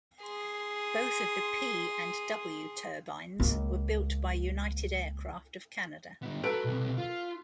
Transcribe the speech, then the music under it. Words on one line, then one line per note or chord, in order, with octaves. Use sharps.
Both of the P and W turbines were built by United Aircraft of Canada.
G#4 C6
C#2 A#3
G2 B3
F#4 A4 B4 A#5 D7
B1 C3
F4